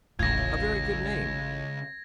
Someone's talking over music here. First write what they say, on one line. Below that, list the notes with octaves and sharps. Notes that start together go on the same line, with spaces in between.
A very good name!
D#1 A1 A2 C#3 F4 G#6 A#6